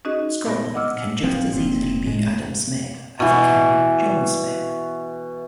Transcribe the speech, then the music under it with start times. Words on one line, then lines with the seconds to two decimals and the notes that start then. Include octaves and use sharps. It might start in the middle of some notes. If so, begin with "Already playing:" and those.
'Scotland' can just as easily be Adam Smith as it can be John Smith.
0.05 C#4 D#4 F#4 G#4 D#5
0.46 A#2 B3 A#6
0.74 D#5 F#5 D6 E6 F6
1.23 A1 F3 C4
1.53 F1 A#2 C4
2.07 A2 G#3
3.20 B2 E3